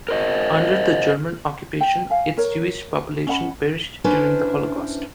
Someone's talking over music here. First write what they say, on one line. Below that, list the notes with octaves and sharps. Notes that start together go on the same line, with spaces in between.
Under the German occupation, its Jewish population perished during The Holocaust.
A#4 C5 D#5
G5
F5 G#5
A#4 C#5
C#4 D#5 F#5 B5
C#4 D4 E4 B4 C5